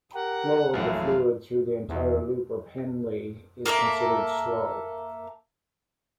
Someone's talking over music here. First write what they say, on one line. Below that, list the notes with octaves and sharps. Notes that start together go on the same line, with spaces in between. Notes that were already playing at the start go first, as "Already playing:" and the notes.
Flow of the fluid through the entire loop of Henle is considered slow.
G4 A#4 F#5
A#1 F#2 E3 A3 F5
E2
A#3 A4 A#4 E5